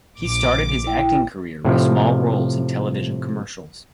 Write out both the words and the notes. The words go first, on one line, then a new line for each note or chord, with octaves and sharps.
He started his acting career with small roles in television commercials.
A#1 D6
E4 G5
A2 C3 F3